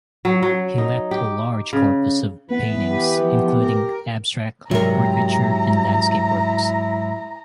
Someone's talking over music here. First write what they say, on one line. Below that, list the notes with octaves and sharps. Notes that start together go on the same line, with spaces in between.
He left a large corpus of paintings, including abstract, portraiture and landscape works.
F#3
F#3
D#4
G4
C#3
E3 B3 B4
G4
F3
A#4
G#2 C3 F#3 E4 A#4 A#5